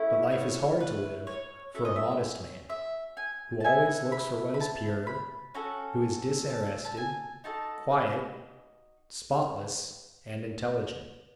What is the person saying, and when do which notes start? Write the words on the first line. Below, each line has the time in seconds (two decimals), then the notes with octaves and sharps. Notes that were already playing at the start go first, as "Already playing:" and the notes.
But life is hard to live for a modest man, who always looks for what is pure, who is disinterested, quiet, spotless, and intelligent.
Already playing: A3 C#4 E4
0.32 C#5
0.80 B4
1.27 C#5
1.74 C#4 F#4 A4 E5
1.85 D#5
1.96 E5
2.70 E5
3.17 G#5
3.60 A5
3.64 B3 E4 A4 G#5
4.12 B5
4.54 B5
4.60 A5
5.07 B5
5.54 C#4 F#4 A4
6.50 A5
6.85 A5
6.97 G#5
7.44 D#4 F#4 A4 A5